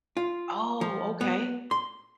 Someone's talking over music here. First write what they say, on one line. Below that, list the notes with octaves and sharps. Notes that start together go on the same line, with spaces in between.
Oh, okay.
F4
F3
B3
C6